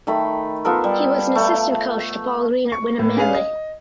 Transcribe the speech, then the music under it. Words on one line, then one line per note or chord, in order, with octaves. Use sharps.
He was an assistant coach to Paul Green at Wynnum Manly.
D#3 A3 B5
B3 F4 A4 A#4
G3
A3
C#6
A2 B3
C#4 G#4 B4 F5
D#5